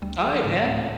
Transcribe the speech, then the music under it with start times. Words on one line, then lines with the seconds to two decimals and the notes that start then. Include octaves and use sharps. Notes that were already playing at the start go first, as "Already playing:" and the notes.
Aight, man.
0.02 D2 G3
0.23 F3
0.44 G#2 C#3 G#3
0.65 D2 A2 A3